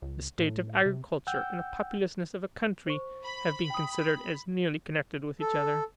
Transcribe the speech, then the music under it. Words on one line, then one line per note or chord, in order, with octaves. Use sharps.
The state of agriculture and the populousness of a country have been considered as nearly connected with each other.
C#2
A2
C3
F#5 G5 E6 G6
C5 C#6
B5
G5 D#6
A4